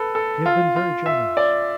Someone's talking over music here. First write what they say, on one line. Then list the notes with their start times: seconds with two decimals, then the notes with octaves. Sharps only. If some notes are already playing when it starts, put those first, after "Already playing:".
He had been very generous.
Already playing: A4 B4
0.15 A4
0.46 F4
0.76 F4
1.06 E5
1.37 D5